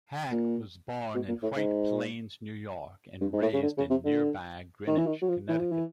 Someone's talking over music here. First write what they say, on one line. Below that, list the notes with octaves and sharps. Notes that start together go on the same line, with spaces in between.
Hack was born in White Plains, New York and raised in nearby Greenwich, Connecticut.
A#2
B2
A#2
A2
G#2
G2
G#2
A2
C#3
D3
C#3
C3
D3
D#3
E3
D#3
F#3
F3
E3
F3
E3